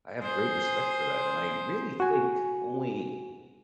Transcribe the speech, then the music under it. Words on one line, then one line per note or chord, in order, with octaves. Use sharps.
I have great respect for that. And I really think only
G#4 C5
F#4 G#5